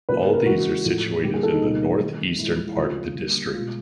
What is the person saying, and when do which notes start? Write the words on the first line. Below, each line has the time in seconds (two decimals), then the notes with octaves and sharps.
All these are situated in the north eastern part of the district.
0.09 C#3 F#3 A#3 B4
0.21 A#4
0.33 A#4
0.46 C#3 E3 G#3 F#4
0.85 A2 F3 A3
1.24 D3 G3 A#3 G4
1.34 G#4
1.43 A4
1.52 D#4
1.62 B2 G3 A#3
2.00 D#3 F#3 A3
2.39 A#2 F3 G#3 E4
2.67 E4
2.77 C#3 F3 A3 F4
3.15 D3 G3 A#3
3.54 G#3 F4
3.59 B2